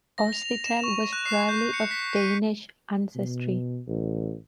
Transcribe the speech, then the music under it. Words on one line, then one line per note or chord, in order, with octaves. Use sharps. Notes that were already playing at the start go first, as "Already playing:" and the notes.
Oscytel was probably of Danish ancestry.
A#6
F7
F7
E7
C#6
F#6
C7
G6
C#7
B6
D#7
B2
A1